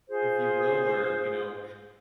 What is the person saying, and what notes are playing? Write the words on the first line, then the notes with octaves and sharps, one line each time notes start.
if you will, or, you know
F4 G#4 C5